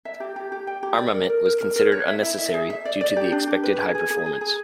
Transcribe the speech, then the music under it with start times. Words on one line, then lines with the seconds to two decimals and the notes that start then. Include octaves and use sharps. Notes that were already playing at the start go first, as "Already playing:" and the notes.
Armament was considered unnecessary due to the expected high performance.
0.05 E5
0.20 G4
0.36 G4
0.52 G4
0.67 G5
0.83 G4
0.98 D5
1.14 A#4
1.30 A#4
1.45 A#4
1.61 A#4
1.76 A#4
1.92 C#5
2.08 E5
2.23 E4
2.38 E5
2.54 G#4
2.70 E5
2.85 D5
3.01 D5
3.16 G4
3.32 D4
3.47 G4
3.63 B4
3.79 G#4
3.95 G#4
4.10 G#4
4.26 G#4
4.41 G#4